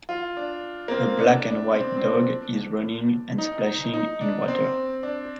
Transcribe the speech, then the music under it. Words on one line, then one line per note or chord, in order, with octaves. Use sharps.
A black and white dog is running and splashing in water.
F4
D4
A#3
C4
D4
D4
C4
C4
D4
D#4
D#4
D#4
D4
D4
C4
D4